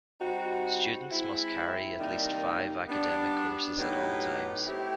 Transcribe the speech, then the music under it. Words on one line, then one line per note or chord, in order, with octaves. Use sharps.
Students must carry at least five academic courses at all times.
G3 C4 D#4 F#4
G#3 C4 E4
C3 D#3 G3 A#3 D#4
G3 B3 D4
A2 F#3 B3 D#4 G4
A3 C4 E4 G4